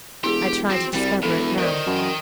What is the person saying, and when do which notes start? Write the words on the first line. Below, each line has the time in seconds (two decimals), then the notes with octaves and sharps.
I tried to discover it now.
0.24 E1 E4 G4 G#4
0.70 C4 F#4
0.94 C2 G3
1.23 E1 E2 E3 A4
1.58 A#4 C5 D5 D#5 G5
1.86 F#2